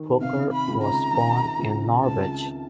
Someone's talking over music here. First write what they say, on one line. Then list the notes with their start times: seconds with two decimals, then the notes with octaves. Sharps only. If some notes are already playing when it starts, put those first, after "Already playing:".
Hooker was born in Norwich.
Already playing: D#3
0.21 C3 F5
0.52 B5
0.67 C#2
0.82 A#5
1.13 D#3
1.59 C#2
2.05 C#2 A5